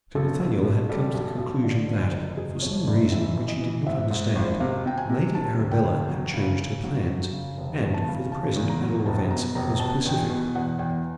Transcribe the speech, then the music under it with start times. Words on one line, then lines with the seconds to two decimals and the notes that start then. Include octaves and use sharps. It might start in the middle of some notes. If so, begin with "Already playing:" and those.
Sir Nathaniel had come to the conclusion that, for some reason which he did not understand, Lady Arabella had changed her plans, and, for the present at all events, was pacific.
0.15 B1 A4
0.40 B2
0.64 B1
0.89 G3 A4
1.14 B1
1.38 B1
1.64 D3
1.88 F2
2.12 F#1
2.37 F#1 G#4
2.62 F2 C#5
2.87 F#1 D5
3.11 E3 E5
3.36 E3
3.48 D#5
3.62 E3
3.87 G#2 E5
4.10 G#2
4.35 G#1
4.60 C3 F5
4.86 C3 G5
4.97 G#5
5.10 C3
5.35 D#3 A5
5.59 D2
5.71 G5
5.84 D2
6.09 F#3
6.34 C#3
6.59 C#3
6.84 F#3
7.09 F#2
7.33 C#3
7.57 F1
7.82 E2
7.94 A5
8.08 C#3
8.32 C#3 A5
8.56 E2
8.70 A#5
8.81 F#3
9.06 F1 A5
9.30 B2 A#5
9.55 F1 A#5
9.80 B2 A5
10.06 E2 G5
10.17 G#5
10.30 B2
10.55 E2 F#5
10.79 E2 G5